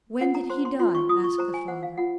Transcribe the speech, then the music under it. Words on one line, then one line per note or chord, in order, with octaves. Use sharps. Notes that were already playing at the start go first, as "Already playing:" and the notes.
"When did he die?" asked the father.
F4 F#5
A#5
C5 C6
C6
F4 C6
C#6
F4 D#6
C#6
C5 A#5
G#5
C5 F#5
F5
F4 F#5